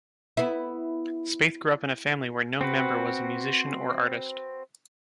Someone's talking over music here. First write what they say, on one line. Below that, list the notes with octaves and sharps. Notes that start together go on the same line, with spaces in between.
Spaeth grew up in a family where no member was a musician or artist.
B3 E4
C4 F#4 B4